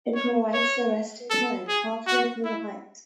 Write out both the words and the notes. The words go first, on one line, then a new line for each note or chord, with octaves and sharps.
It provides a resting point halfway through the hike.
C#5
C#5
A4
G#4
F#4
E4